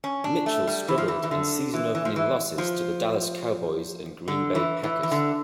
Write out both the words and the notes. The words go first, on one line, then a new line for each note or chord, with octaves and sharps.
Mitchell struggled in season-opening losses to the Dallas Cowboys and Green Bay Packers.
C#4
D4
A3
G3
E3
F3
E3
E3
D3
E3
E3
F3
E3
F3
D3
E3
E3
E3
D3